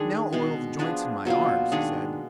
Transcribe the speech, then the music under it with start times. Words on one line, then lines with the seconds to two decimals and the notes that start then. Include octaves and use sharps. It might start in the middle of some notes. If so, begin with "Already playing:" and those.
"Now oil the joints in my arms," he said.
Already playing: D#3 G#3 D4 G#4
0.33 B2 G#3 B3
0.79 F3 B3 D4 G#4
1.25 B2 F#3 A#3 F4
1.72 D#3 G#3 D4 G#4